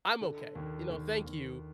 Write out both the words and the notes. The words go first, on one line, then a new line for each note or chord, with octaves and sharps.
I'm okay." You know, "Thank you,
D3
D#2
D#2
D#2